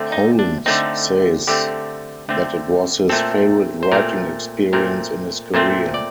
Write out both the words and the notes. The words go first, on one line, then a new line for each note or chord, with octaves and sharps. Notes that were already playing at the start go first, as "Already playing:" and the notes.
Holmes says that it was his favorite writing experience in his career.
Already playing: D3 A3 C4
D#4
D4
D3 A3 C4 D#4
D3 A3 C4 G4
D3 A3 C4
A#2 A3 C4 A4
C5
A#2 A3 C4 A#4
A#2 A3 C4 A#4
A#2 A3 C4 C5
D5